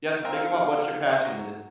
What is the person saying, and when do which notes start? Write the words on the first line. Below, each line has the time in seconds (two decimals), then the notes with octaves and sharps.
you have to think about what your passion is,
0.25 C4 A#4 F5
1.25 F#3